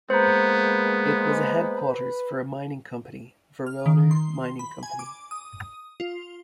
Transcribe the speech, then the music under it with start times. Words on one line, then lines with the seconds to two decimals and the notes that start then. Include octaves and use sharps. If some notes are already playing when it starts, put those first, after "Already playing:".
It was a headquarters for a mining company, Voroner Mining Company.
0.10 G#3 A#3 B3 B4 C5 A#5
3.66 F6
3.86 D#3
4.11 C6
4.59 B5
4.83 G#5
4.99 D6
5.31 D#6
6.00 F4